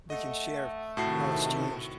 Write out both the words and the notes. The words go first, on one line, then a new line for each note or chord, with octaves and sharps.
we can share how it's changed.
A3 D#5 F#5
A2 C3 D#3 F#4 A5 C7